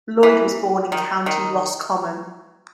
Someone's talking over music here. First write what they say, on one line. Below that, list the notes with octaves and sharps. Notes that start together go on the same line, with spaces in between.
Lloyd was born in County Roscommon.
E3
D#3
D#3